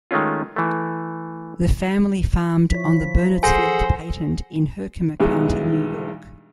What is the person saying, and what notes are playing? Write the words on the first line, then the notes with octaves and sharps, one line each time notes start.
The family farmed on the Burnetsfield Patent in Herkimer County, New York.
D#3 G#3 A3 C#4 F4
E3 A3
F3 E4 C#5 B6
G#4 A4 C5 F#5 G#5 G6 A#6
B1 G2 E3 G#3 B3 D#4